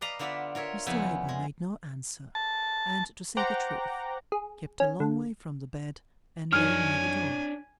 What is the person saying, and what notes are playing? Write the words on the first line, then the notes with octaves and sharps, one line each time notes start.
Mr Abel made no answer, and, to say the truth, kept a long way from the bed and very near the door.
B4 D5 D#5 F5 A#5
D3 B3 F4 D5 E5 B5
F4 A#4 C#5 E5
F2 C#3 B3 E4 G#4
G#3
A5
C5 F#5 G5 A#5 D6
G#4
C#4
D3
F#2 D4 D#4 C#5 G#5 F6